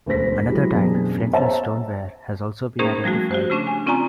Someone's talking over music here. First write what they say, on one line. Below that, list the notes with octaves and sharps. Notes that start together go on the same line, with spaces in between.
Another type, Flintless Stoneware, has also been identified.
E1 D2 C#3 C5 A#6 B6
F#3 G#3 E4 G4
F#1 E2 B2 D4 G#4
C5 C#5 E5 A5 A#5
A#3 C#4 D#4 G#4 A#4 C5
F3 G3 A3 F#4
F#4 G4 C5
C#3 A3 C#4 D4
G#5
C4 C#4 F4 D5 G#5 A#5